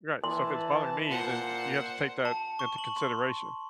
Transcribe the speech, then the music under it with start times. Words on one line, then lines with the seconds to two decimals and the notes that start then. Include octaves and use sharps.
Right, "So if it's bothering me, then you have to take that into consideration."
0.24 E3 A5 C6
1.09 A#2 C5 F#5
2.25 A5
2.59 C#6
2.78 F#7
2.97 C6